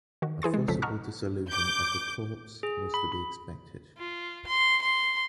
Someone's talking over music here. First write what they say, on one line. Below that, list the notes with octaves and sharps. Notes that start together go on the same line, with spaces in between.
A forcible dissolution of the Corps was to be expected.
D#3 F#4
E3 G#4 C6 A6
G#3
B1 F2 C#3 F3 A4 B6
D#5 F#5 A5 A#5 C#6 F6
D6 G6
G#4
B5
B5
F4
C6
C6